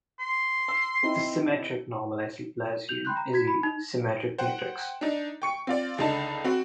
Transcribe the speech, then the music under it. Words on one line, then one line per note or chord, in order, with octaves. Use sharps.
The symmetric normalized Laplacian is a symmetric matrix.
C6
E6
C4 D#4 E4
G6 F7 F#7
G5 B5 C6 F#6 G6
A#5
F#4 G#6 B6
B5
D#4
C5 F#5 G5
D4 D#4
G5 C#6 C#7
C4 F4 D5
C#2 D3 D#4 A5
C4 F#4